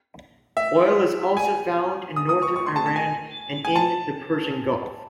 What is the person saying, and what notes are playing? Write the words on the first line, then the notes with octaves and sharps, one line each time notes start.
Oil is also found in northern Iran and in the Persian Gulf.
E5
G#5
D#6
D#6
C#6
C#6
C6
A5
A5
G#5
G#5
A5